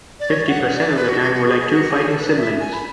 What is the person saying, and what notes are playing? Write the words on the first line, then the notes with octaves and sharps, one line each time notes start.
Fifty percent of the time we're like two fighting siblings.
D5
C#5
D5
F#5
D5
B4
F#4
F#4
F#4
G#4
G#4
F#4
G#4
A4
B4
D5
E5
G#5
B5